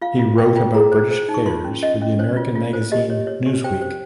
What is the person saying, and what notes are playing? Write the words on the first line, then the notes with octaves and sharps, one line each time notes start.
He wrote about British affairs for the American magazine "Newsweek".
F4 F5
F4
C#5 G5
F4 G5
G#4 A#5
C5
C5
D#4
C#6
F4 C6
C#4
C#4 D#5
C#4
C5 C#5
F4
F4
C5
G4 D#5
C#5
C#5
G4
C5 G5
C5